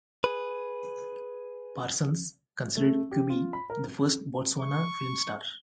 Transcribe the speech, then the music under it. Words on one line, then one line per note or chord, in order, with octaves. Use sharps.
Parsons considered Kubi the "first Botswana film star".
G#4 B4
A3
G4
F4
B5
A#4
C#6